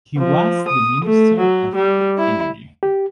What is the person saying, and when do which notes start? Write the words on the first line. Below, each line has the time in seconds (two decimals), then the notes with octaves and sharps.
He was the Minister of Energie.
0.17 F3
0.68 D#6
1.04 A3
1.39 F#3
1.75 G3
2.18 E4
2.83 G4